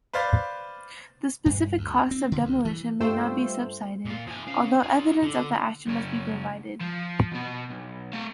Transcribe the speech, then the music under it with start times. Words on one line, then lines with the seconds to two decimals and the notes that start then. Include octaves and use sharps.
The specific costs of demolition may not be subsidized, although evidence of the action must be provided.
0.13 B4 C5 D5 F5 C6 A6
1.46 G2
1.78 D2
2.11 C4
2.32 D3
2.45 D2
2.65 E3
3.00 G2 A3 F4 C5 G5 E6
4.05 A#2 F4
4.28 F3 G#5
4.47 C#4 F5
4.83 F4 G#4
5.23 D3
5.87 F#2 C#3
6.81 F3
7.32 B2 B3
7.70 B1
8.13 A3 F5